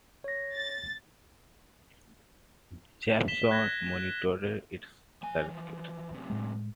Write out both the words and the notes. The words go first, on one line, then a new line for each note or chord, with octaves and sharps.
Jeppson monitored its circuits.
C#5 A#6
A6
B6 E7 G7
F#6 G#6 A#6 G7
F3 G#5
E3 F3
F#2 C3
A2 G#3